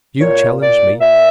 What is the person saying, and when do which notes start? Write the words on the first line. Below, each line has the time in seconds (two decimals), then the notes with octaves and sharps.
You challenged me.
0.20 A#2 C#5
0.61 A#2 D5
1.00 A#2 E5